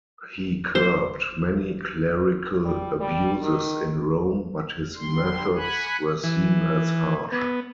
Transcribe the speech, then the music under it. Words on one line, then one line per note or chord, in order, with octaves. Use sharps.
He curbed many clerical abuses in Rome but his methods were seen as harsh.
C5
G3
G3
D#3
D3 G3 C6
F#5 G#5 B5 F#6
E3
B3